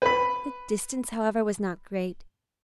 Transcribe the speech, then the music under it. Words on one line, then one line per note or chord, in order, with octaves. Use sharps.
The distance, however, was not great.
B4 B5